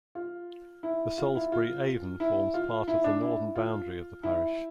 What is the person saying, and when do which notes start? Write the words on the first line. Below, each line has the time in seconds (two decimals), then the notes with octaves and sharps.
The Salisbury Avon forms part of the northern boundary of the parish.
0.15 F4
0.83 E4
1.18 F4
1.35 E4
1.52 F4
2.20 E4
2.54 F4
2.88 E4
3.04 D4
3.22 E4
3.56 F4
4.23 E4